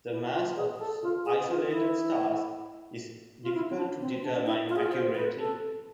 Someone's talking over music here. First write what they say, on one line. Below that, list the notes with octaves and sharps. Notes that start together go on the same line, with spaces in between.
The mass of isolated stars is difficult to determine accurately.
E4
F4
G#4
G#4
A4
F4
G#4
F4
E4
F4
E4
C4
D4
C4
D4
E4
F4
G#4
F4
C5
B4
A4